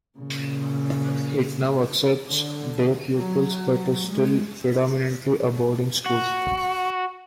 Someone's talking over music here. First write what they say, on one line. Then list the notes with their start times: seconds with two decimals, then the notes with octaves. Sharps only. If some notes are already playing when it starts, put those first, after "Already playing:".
It now accepts day pupils but is still predominantly a boarding school.
0.18 A#2 C#3
2.27 D3
3.15 F#3
4.08 G#3
6.06 F#4